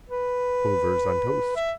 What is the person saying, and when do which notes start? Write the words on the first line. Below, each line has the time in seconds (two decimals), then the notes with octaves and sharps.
Plovers on toast.
0.09 B4
1.56 E5